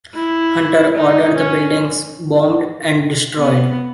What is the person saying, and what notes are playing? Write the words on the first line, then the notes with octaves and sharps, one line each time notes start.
Hunter ordered the buildings bombed and destroyed.
E4
D#4
C#4
B3